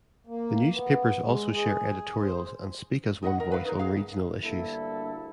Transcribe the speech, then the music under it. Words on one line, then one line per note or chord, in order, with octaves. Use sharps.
The newspapers also share editorials and speak as one voice on regional issues.
A#3
B3
G#3
G#4
C5
D#4 D#5 E5 F#5
A#4
B4 F5
D#4 A#4
G#4 F5
D2 G2 A#3 E4 A4